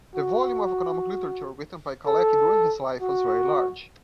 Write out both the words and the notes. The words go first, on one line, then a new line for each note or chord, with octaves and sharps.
The volume of economic literature written by Kalecki during his life was very large.
F#4
A4
F#4